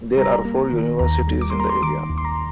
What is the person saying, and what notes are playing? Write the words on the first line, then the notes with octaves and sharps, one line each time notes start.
There are four universities in the area.
G3 A#5
A#3
D#3
D#2 A#5
G3
D6
C6
A#3
A#5
C6
D#3 D6
D#2
C6
A#5